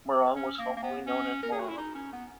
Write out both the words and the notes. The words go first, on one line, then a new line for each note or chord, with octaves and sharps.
Morong was formerly known as "Moron".
C#4
A#3
A#3
B3
C#4
A#4
G#4
F#4
E4
D#4
C#4
B3